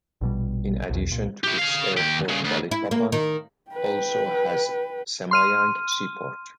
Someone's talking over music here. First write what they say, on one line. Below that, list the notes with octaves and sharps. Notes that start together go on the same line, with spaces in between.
In addition to its airport Balikpapan also has Semayang seaport.
A#1 B2 G3
B1 E2
C2 A#2
E4 G4
G#4 F5
D#2 G4
G2 C#3
D2
E4
A#3
D#3
B4 G5
C6 F6 D#7